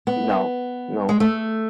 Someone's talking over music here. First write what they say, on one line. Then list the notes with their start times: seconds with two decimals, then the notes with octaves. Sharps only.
No. Nope.
0.07 B3
1.09 G#3
1.20 A3